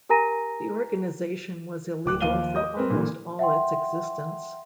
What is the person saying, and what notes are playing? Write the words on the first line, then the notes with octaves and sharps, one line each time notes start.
The organization was illegal for almost all its existence.
G4 A#4 G#5 A#5 A#6 D#7
D1 D6 F#6
D#2 D#3 F3 F5 D#7 G7
D#5 D#6 G6
C4 A#4 B4
A#2 D3 E3
E5 F#5 G5 C6